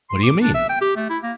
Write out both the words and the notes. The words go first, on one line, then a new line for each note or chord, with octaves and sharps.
"What do you mean?"
C6
D6
D4
E5
G5
G4
A3
E4
A#3